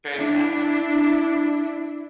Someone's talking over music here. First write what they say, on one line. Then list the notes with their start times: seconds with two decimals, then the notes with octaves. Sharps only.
very sad.
0.17 D4 E4